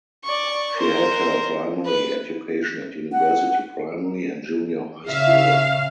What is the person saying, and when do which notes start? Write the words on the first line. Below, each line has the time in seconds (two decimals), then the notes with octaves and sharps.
She had her primary education at University Primary and Junior High School.
0.24 D5 C#6
0.76 A#4 C5
1.85 B4
3.12 F#5
5.09 C#3 E5 F5